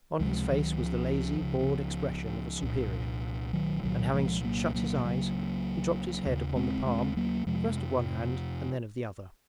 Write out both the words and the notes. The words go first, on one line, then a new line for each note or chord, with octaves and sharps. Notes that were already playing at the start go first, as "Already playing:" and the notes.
On his face was the lazy, bored expression of a superior, and having shut his eyes he dropped his head upon the palm first of one hand and then of the other.
C#2 C3 F3 G#3
D#3 F#3
F3
C#2 C#3
C2 A#2
D#3 F#3
C2 A#2 D#3 F#3
F3 G#3
F#3 A#3
F#3 A#3
C#2 C#3 F#3 A#3
D#2 C#3
G#3 C4
G#3 C4
F#3 A#3
F2 C3 F3 G#3